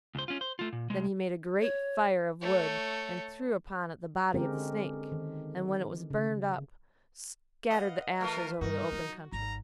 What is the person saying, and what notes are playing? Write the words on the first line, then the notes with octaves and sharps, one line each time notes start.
Then he made a great fire of wood, and threw upon it the body of the snake, and, when it was burnt up, scattered the ashes over the open country.
C#2 C5
C#4 F4
C5
A3 F4
A#2
C2 G#3
C#5
A3 C#5
D3 G#3 C4 C#4 G4 A#4
D#3
C#3
B4 D#5 F5 F#5
E3 A3 F4 A#4 B4
G2 G3 D#4 F#4 A#4
F#3 F4
G#1 G#2 D3 G3 A#5